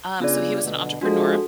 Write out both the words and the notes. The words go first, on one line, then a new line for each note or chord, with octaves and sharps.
Um, so he was an entrepreneur
C#3 B3 D4 F4 G#4 D5
B2 D3
F3 G#3 D4 F#4 A4